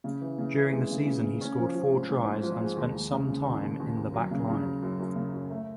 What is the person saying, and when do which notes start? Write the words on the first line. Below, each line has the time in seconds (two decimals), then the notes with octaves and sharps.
During the season he scored four tries and spent some time in the backline.
0.04 C#3
0.21 E3
0.38 C#3
0.56 E3
0.72 G#3
0.90 C#3
1.06 C#3
1.23 C#3
1.41 C#4
1.58 F3
1.75 F3
1.92 G#2
2.09 G#2
2.26 G#2
2.43 F3
2.61 G#3
2.77 D#2
2.95 D#2
3.12 C#3
3.28 C#3
3.45 D#2
3.63 D#2
3.80 D#2
3.97 D#2
4.14 F#3
4.31 C#3
4.48 C#3
4.65 F#3
4.82 F#2
4.99 F#2
5.16 C#3
5.33 F#2
5.50 A3